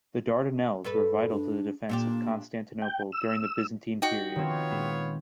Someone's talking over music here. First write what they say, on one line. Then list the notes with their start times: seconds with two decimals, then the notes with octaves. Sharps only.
The Dardanelles were vital to the defence of Constantinople during the Byzantine period.
0.84 G2 A4 B4
1.31 D4
1.89 A#2 A#3 D4 G4
2.82 G5
3.12 E6
4.02 D#4 F#4 D#5 G5
4.36 D#3 B3 C4 F4 C#5
4.71 A#2 G#3 C4 B5